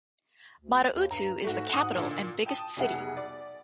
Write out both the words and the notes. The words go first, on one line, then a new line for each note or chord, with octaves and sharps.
Mata-Utu is the capital and biggest city.
D2
D#2
G2 A#5
G#2 A3 F#4
G#2 F#5 D#6
A#2 D3
G5 A5 D#6
F1 B1 G3 G#4 E5 F#5
D5